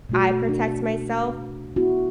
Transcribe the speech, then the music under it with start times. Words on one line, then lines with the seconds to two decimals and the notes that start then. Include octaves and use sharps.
I protect myself.
0.09 B2 A3 F#4
0.49 D4
1.76 B3 E4 F#4